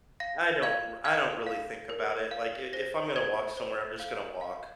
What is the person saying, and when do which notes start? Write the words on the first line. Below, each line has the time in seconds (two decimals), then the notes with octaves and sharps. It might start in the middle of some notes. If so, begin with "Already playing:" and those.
I don't r I don't really think about it, like, i if I'm gonna walk somewhere, I'm just gonna walk,
0.20 F5 A#6
0.63 F5 G#6
1.05 F5 G#6
1.47 F5
1.90 A#4
2.31 F5
2.73 C5 A#6
3.16 C5 G#6
3.57 C5
4.00 F5
4.41 F5